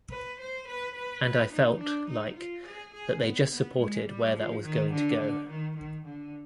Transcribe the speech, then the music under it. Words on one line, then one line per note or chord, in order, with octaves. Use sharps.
And I felt, like, that they just supported where that was going to go.
B4
C5
B4
B4
B4
D#4
D4
D#4
F4
G#4
G#4
B3
B3
G#3
G3
F3
D#3
D3
D3
D#3
D#3
D3